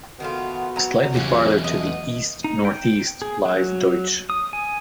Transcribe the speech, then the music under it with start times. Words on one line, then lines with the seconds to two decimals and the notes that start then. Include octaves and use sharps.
Slightly farther to the east-northeast lies Deutsch.
0.20 D#3 A3 B3 F4 F#4
0.76 F#3 A#5
1.14 E2 C#3 F#3 C#4 G4
1.64 A3 B3 D#5
2.44 D#4
2.65 G5
3.22 G#4
3.45 F#3
4.30 D#6
4.53 G#5